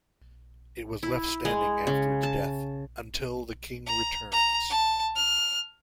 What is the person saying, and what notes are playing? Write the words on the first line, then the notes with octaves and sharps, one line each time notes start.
It was left standing after its death "until the King returns".
E4
G#3
C#3
A5
A#5
A#5
A5
F6